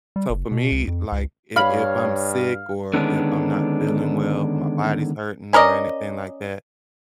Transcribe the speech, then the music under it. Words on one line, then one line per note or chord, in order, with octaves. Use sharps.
So for me, like, i if I'm sick or if I'm not feeling well, my body's hurting anything like that,
G3
F#1
B2
C#2
F2
C#2
G2 C#5 F5 B5
D3 D#3 G#3 B3 C#4 D4
C#4 A#4 D5 D#5